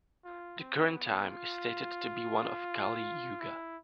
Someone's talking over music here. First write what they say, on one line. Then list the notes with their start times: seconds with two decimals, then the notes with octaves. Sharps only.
The current time is stated to be one of "kali yuga".
0.24 F4
0.59 C4
0.95 B3
1.29 F4
3.40 E4